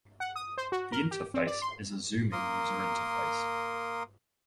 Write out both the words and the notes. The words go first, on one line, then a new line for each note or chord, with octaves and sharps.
The interface is a zooming user interface.
F#5
D#6
C5
F#4
A#4
G4
C4
D5
C6
A#3 A#4 C6 D#6